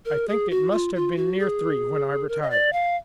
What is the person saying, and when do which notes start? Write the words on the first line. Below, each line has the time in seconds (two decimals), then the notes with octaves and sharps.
I think it must have been near three when I retired.
0.05 A#4
0.28 G#4
0.50 F#4
0.71 F4
0.95 F4
1.17 F#4
1.39 G#4
2.28 A#4
2.42 D#5
2.50 D5
2.73 F5